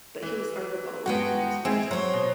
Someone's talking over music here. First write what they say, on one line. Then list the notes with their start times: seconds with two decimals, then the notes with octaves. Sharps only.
But he was over-bowled and was burnt out.
0.22 E3
1.06 G2 G#3 B3 F#4 G5
1.65 G#3 C4 E4 G#4
1.91 F#3 C5 C#5
2.13 B2